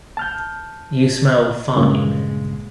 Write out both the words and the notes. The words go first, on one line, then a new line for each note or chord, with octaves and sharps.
You smell fine.
A5 F6 G6
G2 A#2 C#3 G#3